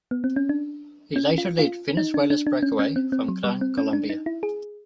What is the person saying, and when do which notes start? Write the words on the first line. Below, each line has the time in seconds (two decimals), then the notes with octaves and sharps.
He later led Venezuela's breakaway from Gran Colombia.
0.11 B3
0.24 C4
0.36 C#4
0.49 D4
1.16 C#4
1.38 F4
1.59 F4
1.97 D#4
2.14 D4
2.30 D4
2.47 D4
2.63 C#4
2.79 C#4
2.96 C4
3.12 C4
3.28 F#3
3.44 G3
3.61 C4
3.78 C#4
3.93 D4
4.10 D#4
4.26 E4
4.43 G#4